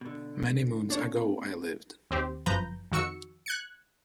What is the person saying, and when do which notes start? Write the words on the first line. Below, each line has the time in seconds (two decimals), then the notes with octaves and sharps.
Many moons ago I lived.
0.01 B2 D3
0.90 A#3 C4 D4 C#5
2.11 D#2 C4 G4
2.46 G1 F#2 F3 B4 A#5 G6
2.92 F2 D#3 F#4 C#6 E6 C#7
3.46 F#6 G#6 C#7